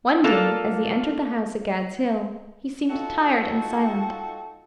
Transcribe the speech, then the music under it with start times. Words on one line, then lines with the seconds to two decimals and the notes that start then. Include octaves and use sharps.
One day as he entered the house at Gad's Hill, he seemed tired and silent.
0.24 A#3 D4 F4 A4
2.89 D#4 F4 F#4 A4 G5 A5